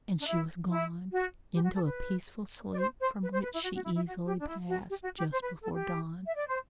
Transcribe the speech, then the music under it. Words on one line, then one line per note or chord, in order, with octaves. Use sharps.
And she was gone--into a peaceful sleep from which she easily passed just before dawn.
D4
E4
E4
F#4
G4
F#4
A4
B4
D5
C5
C5
B4
C5
B4
E4
F#4
F#4
E4
E4
F#4
G4
D4
E4
F#4
G4
F#4
G4
C5
B4
A4
G4
E5
D5
C5